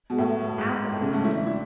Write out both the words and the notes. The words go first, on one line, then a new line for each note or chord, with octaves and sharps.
Gluck looked out of the window.
B2
A2
G#2
A2
C#3
A3
E4
D4
E4